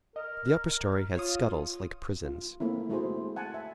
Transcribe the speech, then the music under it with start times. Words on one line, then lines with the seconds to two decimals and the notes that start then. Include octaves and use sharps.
The upper story had scuttles like prisons.
0.16 A#4 D#5
1.16 F4 C#5 F5 D#6
2.25 F4
2.60 A3 A#3 C4 E4
2.89 G#3 A3 E4 F#4 G#4 C5
3.36 F#5 G#5 A5
3.54 E5